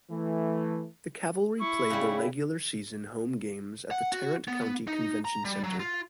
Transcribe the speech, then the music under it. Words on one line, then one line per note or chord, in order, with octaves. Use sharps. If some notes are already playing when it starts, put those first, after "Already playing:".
The Cavalry played their regular season home games at the Tarrant County Convention Center.
E3 A3
E4 C#6
C#3 G3
F#5
F#4
B3
D#4
A#5
G3
F#3
F4